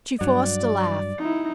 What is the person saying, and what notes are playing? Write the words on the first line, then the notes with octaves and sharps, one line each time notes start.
She forced a laugh.
G2 F#3 D5
D#4 E4